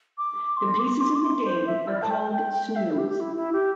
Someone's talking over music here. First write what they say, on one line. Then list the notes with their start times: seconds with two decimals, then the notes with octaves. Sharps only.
The pieces in the game are called "Snoods".
0.18 D6
0.57 C6
0.79 D6
0.91 D6
1.01 C6
1.15 D6
1.23 C6
1.45 C5
1.67 E5
1.89 D5
2.02 A5
2.11 G5
2.33 G5
2.54 G5
2.76 E5
2.91 E4
2.98 G4
3.10 G4
3.20 E4
3.36 E4
3.53 G4